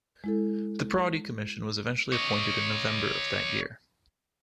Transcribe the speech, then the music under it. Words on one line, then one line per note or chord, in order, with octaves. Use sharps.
The Prodi Commission was eventually appointed in November of that year.
G#3 E4 A4
C#5 D#5